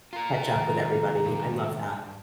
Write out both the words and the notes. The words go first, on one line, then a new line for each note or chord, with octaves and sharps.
catch up with everybody. I love that.
F4 A#4 A#5
C3 D#3 G#3
G2